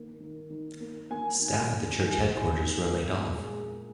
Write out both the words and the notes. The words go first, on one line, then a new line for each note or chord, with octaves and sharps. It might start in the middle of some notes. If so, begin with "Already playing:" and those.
Staff at the church headquarters were laid off.
Already playing: D#3 A#3
D#3
D#3
A#3
A#3 G#5
D#3
A#3
D#3 G#5
D#3
D#3
G#3 A#4
A#2
G#4
G#3